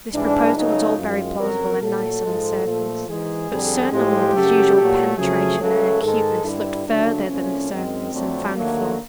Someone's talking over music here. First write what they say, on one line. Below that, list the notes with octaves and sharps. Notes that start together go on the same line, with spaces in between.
This proposal was all very plausible and nice on the surface, but Sir Norman with his usual penetration and acuteness, looked farther than the surface, and found a flaw.
G#2 E3 G3 D4
C#2 C#3 F#3 A3 D#4
F#2 D#3 G#3 F4
F2 C#3 F#3 A#4
A#2 F#3 A3 A4
G#2 F3 G#3
A#2 F3 A3
G#2 E3 G#3 G#4
F2 D3 G3
A2 F3 G#3 G4
F#2 C#3 F#3 A3
A#2 F#3 A3
F2 C#3 F#3 A3 G#4
C#2 C#3 F#3 A3 A4
G#2 D#3 G#3 A4
G2 D3 G3 E4
D2 C#3 F#3 A3 D4
C2 A#2 F3 A3 C#4
F#2 D#3 G#3 C4
F2 D3 F#3 A3
D#2 D3 F#3 A3 A#3